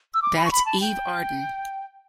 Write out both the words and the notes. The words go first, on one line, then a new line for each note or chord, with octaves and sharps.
That's Eve Arden.
E6
D6
B5
C#6
B5
A5
G5